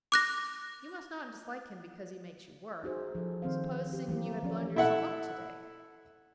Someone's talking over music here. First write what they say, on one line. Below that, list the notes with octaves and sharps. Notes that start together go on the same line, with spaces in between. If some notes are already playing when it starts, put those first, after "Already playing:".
You must not dislike him because he makes you work. Supposing you had blown yourself up to-day!
D6 F#6 A#6
D#4 F#4 G#4 C5
F3 A4
D#3 C4 C5 F5
G4
E3 F#3 A#3 G4
F3 C#4 D5
E4 A4 E5 F#5